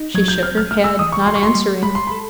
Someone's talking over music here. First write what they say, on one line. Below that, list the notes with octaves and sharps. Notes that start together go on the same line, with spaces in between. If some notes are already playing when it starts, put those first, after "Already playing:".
She shook her head, not answering.
Already playing: D#4
F#3 G#6
G6
C4 F6
F6
A3 F6
E6
E3 D#6
C#6
F#4 C6
C#6
C6
G3
G#3 B5
C6
A4 B5